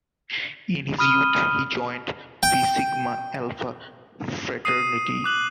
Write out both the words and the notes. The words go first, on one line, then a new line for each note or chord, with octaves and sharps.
In his youth, he joined Fi Sigma Alfa Fraternity.
B5 D#6 F6 D#7 G7
G5
D#6 C7 D#7
D6 F#6 F#7